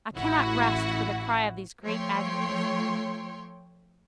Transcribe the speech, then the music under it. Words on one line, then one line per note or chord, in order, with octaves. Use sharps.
I cannot rest for the cry of these great agonies.
A1 E4 F#4 F#5
F3 A3 C#5 G5 C6